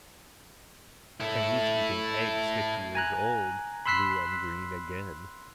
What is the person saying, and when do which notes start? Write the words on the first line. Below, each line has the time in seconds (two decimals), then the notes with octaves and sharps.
Chinese eating eggs fifty years old, blue and green again.
1.20 E4 A4
2.95 G#5 A#5 F#6
3.86 B5 C6 E6 F#6 B6 C7